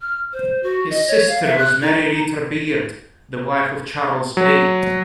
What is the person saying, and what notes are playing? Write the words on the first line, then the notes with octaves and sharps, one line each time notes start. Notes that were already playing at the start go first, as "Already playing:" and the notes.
His sister was Mary Ritter Beard, the wife of Charles A.
F6
C5
F#4
D#5
C#5
F5
E5
F#6
D#4
F#3